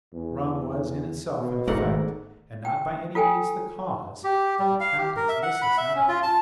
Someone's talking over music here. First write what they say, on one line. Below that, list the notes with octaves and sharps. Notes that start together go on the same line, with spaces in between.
Rum was in itself an effect, and not by any means the cause of the Captain's listless apathy.
E2
B2
G#1 G#2 A3 A#4 F#5
G5
F4 A4 G5 G#5
G4
G3
F5
G4
A#4
E5
F#5
B5
E5
C#4
F4
A5